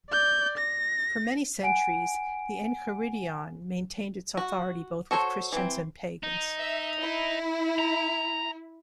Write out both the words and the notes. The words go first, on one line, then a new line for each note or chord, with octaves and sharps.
For many centuries, the "Enchiridion" maintained its authority both with Christians and Pagans.
D5 G6
A#6
F#5 G#5 D7
F#4
F#4 A4 C5 C#5
E3 C4
D#4
E5
E4
A#5